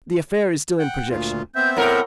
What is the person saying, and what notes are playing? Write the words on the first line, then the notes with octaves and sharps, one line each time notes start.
"The affair is still in projection."
F#5 G5
D2 A#2 F4
B3 C4 E5 G6
A2 A#4 F#5